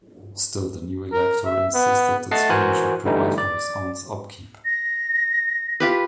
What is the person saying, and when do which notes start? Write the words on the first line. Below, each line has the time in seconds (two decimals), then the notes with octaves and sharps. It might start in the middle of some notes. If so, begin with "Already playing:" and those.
Still, the new Elector insisted that Sweden should provide for his aunt's upkeep.
1.12 A#4
1.45 E5
1.74 B3
2.31 A3 D#5 F#5 A5 A6 C7
2.49 E3 F#4 A#4 C5 G#5 F#6
3.05 D3 E3 G3 A3 D#4
3.38 D5
4.65 A#6
5.80 F4 G4 B4